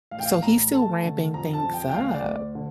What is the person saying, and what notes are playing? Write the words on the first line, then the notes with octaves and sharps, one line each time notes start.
So, he's still ramping things up.
A1 F5
G5
F5
A1 A#5
A3 A5
D3
F2 A#5
A5
F2
G5
G5
D2 F5
D5
D2
D3